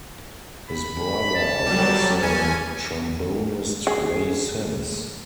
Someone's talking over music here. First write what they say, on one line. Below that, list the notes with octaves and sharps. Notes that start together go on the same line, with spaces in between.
His brother was the trombonist Ray Sims.
B5
A5
F#3 G3
E2 C#4 G#5
G#4